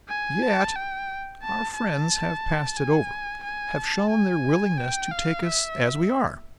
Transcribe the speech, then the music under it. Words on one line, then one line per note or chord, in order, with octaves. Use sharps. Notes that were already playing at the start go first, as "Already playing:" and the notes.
Yet--our friends have passed it over, have shown their willingness to take us as we are.
G#5
A5
G5
A5
A5
G#5
G#5
A5
G#5
G5
F5
E5